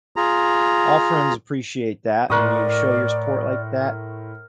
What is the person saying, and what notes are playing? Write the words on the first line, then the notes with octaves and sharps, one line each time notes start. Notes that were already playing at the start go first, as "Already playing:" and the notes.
all friends appreciate that when you show your support like that.
F4 G#4 A#5
A2 A#4 D5 C6 C#6 D#6 F#6